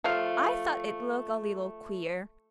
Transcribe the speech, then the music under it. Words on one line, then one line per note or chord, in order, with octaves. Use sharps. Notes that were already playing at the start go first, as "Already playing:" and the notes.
'I thought it looked a little queer.
F3 A3 F5